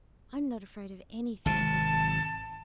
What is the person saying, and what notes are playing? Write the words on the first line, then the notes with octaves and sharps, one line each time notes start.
"I'm not afraid of anything," said Sonya.
G#1 C3 A5